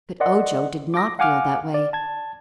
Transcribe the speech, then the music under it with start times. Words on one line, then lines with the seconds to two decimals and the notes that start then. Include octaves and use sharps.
But Ojo did not feel that way.
0.20 A#4 D5 D#5 F#5 C6
0.94 D6 A#6
1.19 F5 F#5 G#5 D6 F6
1.74 D5
1.93 A5 G#6